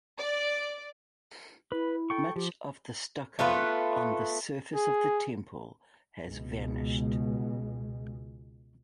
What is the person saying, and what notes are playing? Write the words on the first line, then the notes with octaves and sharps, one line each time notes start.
Much of the stucco on the surface of the temple has vanished.
D5
E4 B4
A4 G5 C#6
F3 G4
A3 B3 F4 B4
G#4
C#2 B2 G#3